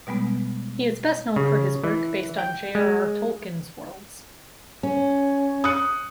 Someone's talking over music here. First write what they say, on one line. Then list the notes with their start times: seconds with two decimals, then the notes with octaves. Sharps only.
He is best known for his work based on J. R. R. Tolkien's worlds.
0.07 B2 G3 G#3 B3
1.36 C#3
1.84 E3
2.39 G5
2.75 G#3
4.83 C#4
5.64 D#6 F#6 C#7